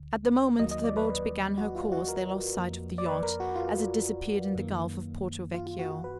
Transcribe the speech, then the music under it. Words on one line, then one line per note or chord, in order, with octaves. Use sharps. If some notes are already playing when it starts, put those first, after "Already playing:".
At the moment the boat began her course they lost sight of the yacht, as it disappeared in the gulf of Porto-Vecchio.
Already playing: D2 D3
D#2 D#3 F#3 A#3 D#5
D#5
D5
B4
F#4
F4
F#4
A#4
F2 F3 A#3
D5
B4
A#4
F#4
F4
F#2 D#3 A#3
F4
F4
F#4
F#4
B4